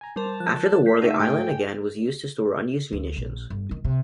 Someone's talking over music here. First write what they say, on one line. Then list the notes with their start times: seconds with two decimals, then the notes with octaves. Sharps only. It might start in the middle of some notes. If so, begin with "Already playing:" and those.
After the war the island again was used to store unused munitions.
0.01 G#5 A#5
0.16 G3 A#4 C5 A5 C6
0.40 F3 F#6
0.86 A3 G6 B6 C7
1.02 D#4 F#4 G4 E5
1.19 G#2 G4 G5 G#5
2.93 D2
3.17 A#1
3.50 G1
3.71 D#3
3.84 C3